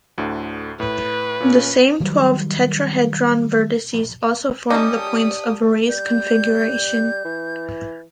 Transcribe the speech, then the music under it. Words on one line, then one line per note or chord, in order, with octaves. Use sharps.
The same twelve tetrahedron vertices also form the points of Reye's configuration.
D2 A2 D3
A2 B4
A#2 C#4
D#3 F#3 G3
G3 C#4 D#4 G4 D5 A5 D#6
G3 G6
E3